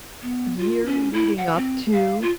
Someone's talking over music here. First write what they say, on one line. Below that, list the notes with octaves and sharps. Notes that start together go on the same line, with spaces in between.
year leading up to,
B3
F4
C#4
E4
F#5
C4
F5
F4